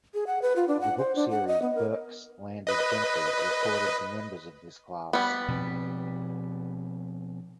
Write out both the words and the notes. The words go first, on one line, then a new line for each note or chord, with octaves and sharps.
The book series "Burke's Landed Gentry" recorded the members of this class.
G#4
F#5
B4
F4
D4
F#5
C5
D4
F#5
D#5
B3
A#4
B4 D#5
G3 B3
B2 F3 C4